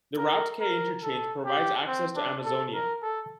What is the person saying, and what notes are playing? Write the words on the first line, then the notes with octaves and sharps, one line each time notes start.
The Route K interchange provides access to Amazonia.
A#4
A#4
A4
G4
C4
D4
A4
A#4
A4